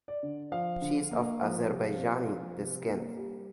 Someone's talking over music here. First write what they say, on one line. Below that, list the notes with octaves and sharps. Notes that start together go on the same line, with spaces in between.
She is of Azerbaijani descent.
D5
D3
F3 F5
D3
A#3
F3
C3
C4
F3
C3
A#3
G3